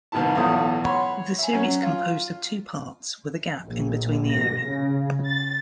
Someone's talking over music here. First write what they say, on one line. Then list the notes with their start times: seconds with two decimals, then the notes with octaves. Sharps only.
The series composed of two parts, with a gap in between the airing.
0.12 C2 B2 D#3 B3 E4 A5
0.35 B1 E2 A2 E3 F4 D#6
0.84 C#5 F#5 B5 C6
1.39 E5 G#5
1.53 F#3 C#4
1.83 F4
3.63 A#1
4.31 A#6
4.61 C#3
5.26 A6